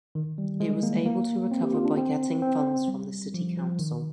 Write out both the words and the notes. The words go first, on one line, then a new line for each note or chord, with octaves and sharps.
It was able to recover by getting funds from the city council.
D#3
G3
G#3
A#3
A#3
C4
G4
F4
D4
C4
C4
G3
F3
F3
D#3